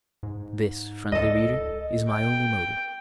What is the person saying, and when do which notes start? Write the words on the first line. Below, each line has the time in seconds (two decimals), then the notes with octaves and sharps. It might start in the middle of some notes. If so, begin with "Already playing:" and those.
This, friendly reader, is my only motive.
0.23 G#2
1.12 C#2 A4 D#5
2.10 G5